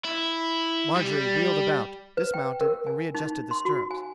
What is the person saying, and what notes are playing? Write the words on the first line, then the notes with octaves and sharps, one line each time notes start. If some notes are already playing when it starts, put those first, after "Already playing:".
Marjorie wheeled about, dismounted, and readjusted the stirrups.
E4
G3
B4
G5
A#4
G#5
D#4
C6
F#4
G#5